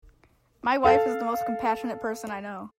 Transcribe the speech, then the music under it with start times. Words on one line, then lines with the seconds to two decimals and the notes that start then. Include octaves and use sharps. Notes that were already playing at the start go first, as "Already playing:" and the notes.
My wife is the most compassionate person I know.
0.84 A4 F5